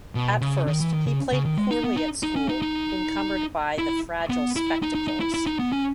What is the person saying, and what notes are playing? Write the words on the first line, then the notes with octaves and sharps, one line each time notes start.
At first, he played poorly at school, encumbered by the fragile spectacles.
B2
C#3
D#3
E3
D#3
C#3
C#3
D#3
G#3
D#4
B3
D#4
D#4
C#4
D#4
D#4
E4
B3
E4
D#4
D#4
D#4
E4
E4
D#4
B3
C#4